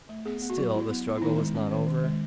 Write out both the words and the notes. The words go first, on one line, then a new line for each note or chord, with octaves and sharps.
Still the struggle was not over.
A3
B3 G#4
B3
F#4
F#3
F#3 E4
B3
B3
E4
D#3 D#4
G#3
C#4
D#3
D#3
G#3